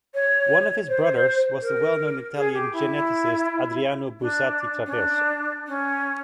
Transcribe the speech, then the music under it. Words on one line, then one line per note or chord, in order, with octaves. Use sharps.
One of his brothers was the well-known Italian geneticist Adriano Buzzati-Traverso.
C#5
C5
A#4
G#4
G4
E4
D4
C#4
D4
C#4